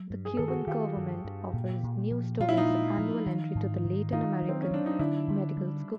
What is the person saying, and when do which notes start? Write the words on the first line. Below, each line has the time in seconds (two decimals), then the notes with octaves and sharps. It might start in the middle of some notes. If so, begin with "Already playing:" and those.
The Cuban government offers new students annual entry to the Latin American Medical School.
Already playing: F#3
0.10 G2
0.25 G#4
0.37 D#3 A4
0.48 F#4 G#4
0.67 D#3 F4 G4
0.97 G2
1.25 G2
1.53 A#2
1.83 A#2
2.11 F3
2.40 A#2 F4
2.49 E4
2.57 D#4 F4
2.69 G#3
2.98 F3
3.26 D#3
3.55 G#2
3.85 D#3
4.12 D#3 D#4 F4
4.42 F#3
4.49 C4
4.62 C#4
4.71 F#3 D4
4.86 D#4
4.99 D3 D4 E4
5.28 D3
5.57 G3